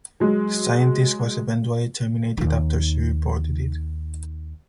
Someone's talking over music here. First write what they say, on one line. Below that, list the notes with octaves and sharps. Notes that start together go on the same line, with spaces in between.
The scientist was eventually terminated after she reported it.
F#3 G#3
D#2 D#4